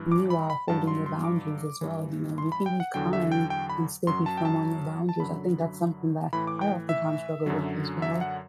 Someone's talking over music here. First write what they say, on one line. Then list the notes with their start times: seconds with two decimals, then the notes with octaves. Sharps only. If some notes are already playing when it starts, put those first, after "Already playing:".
meanwhile holding your boundaries as well, you know, you can be kind and still be firm on your boundaries. I think that's something that I oftentimes struggle with as well,
Already playing: G2 E3
0.12 D6
0.30 B5
0.50 B5
0.68 G2 F#3 A5
0.87 C6
1.06 C6
1.25 D6
1.81 G2 E3
2.38 C6
2.52 B5
2.66 G5
2.80 F#5
2.94 E2 D3 F#3 G5
3.13 E5
3.32 G5
3.50 G5
3.70 B5
4.07 F#2 F#3 C6
4.26 A5
4.37 G5
4.45 A5
5.09 A5
5.20 F#2 D3 F#3 B5
6.33 A2 E3 B5
6.47 D6
6.61 G5
6.89 E5
7.46 F#2 D3 F#3
8.02 E5
8.21 F#5